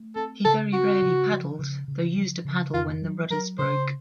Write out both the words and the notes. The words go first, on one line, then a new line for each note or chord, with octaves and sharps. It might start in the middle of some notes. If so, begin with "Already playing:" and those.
He very rarely paddled, though used a paddle when rudders broke.
Already playing: A3
C4 A4
C#3 A4
C4 F#4
C#3
F3
C#3
C#3
F3
C#3
F2 F4
F#3
F#3 A#4
C#3 C5